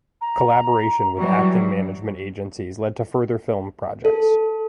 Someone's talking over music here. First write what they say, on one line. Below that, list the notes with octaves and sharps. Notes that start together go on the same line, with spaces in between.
Collaboration with acting management agencies led to further film projects.
A#5
E3 F#3 G3 F#4
A4